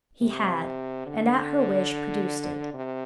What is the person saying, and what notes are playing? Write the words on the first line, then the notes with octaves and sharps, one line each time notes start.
He had, and at her wish produced it.
C3
D3
C3